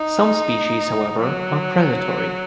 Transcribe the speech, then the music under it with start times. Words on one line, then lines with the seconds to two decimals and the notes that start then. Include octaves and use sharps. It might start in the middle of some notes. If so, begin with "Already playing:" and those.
Some species however, are predatory.
Already playing: D#4
1.20 F#3